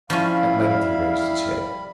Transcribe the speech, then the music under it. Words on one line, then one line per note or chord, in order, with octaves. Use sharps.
At length he raised his head.
F3 G3 C#4 E4 F5 B5